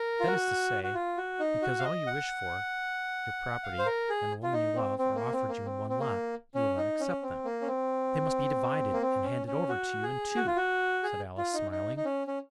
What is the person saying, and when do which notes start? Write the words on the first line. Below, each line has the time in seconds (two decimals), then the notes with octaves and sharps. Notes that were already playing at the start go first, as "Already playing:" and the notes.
"That is to say, because all you wish for, your property and a woman you love, are offered you in one lot, you will not accept them; they must be divided, and handed over to you in two!" said Alice, smiling.
Already playing: A#4
0.20 F4
0.28 F#4
0.83 F#4
0.94 F4
1.17 F#4
1.40 D#4
1.62 F#4
1.79 F5
1.85 D#5
2.07 F#5
3.63 F5
3.79 C5
3.86 A#4
4.09 G#4
4.43 F4
4.53 D#4
4.76 C4
4.99 C4
5.15 A#3
5.33 C4
5.49 A#3
5.65 C4
5.89 C4
5.99 A#3
6.55 C#4
6.78 D#4
7.00 C#4
7.23 C4
7.45 A#3
7.62 C#4
7.67 C4
8.93 A#3
9.02 C4
9.24 C#4
9.47 C#4
9.69 F#4
10.03 G#4
10.36 F#4
10.47 F4
10.56 F#4
11.03 G#4
11.38 F4
11.54 D#4
11.71 D#4
11.97 D#4
12.05 C#4
12.27 C#4